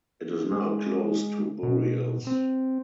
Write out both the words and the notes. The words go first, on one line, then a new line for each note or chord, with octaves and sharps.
It is now closed to burials.
G#3
B2
C4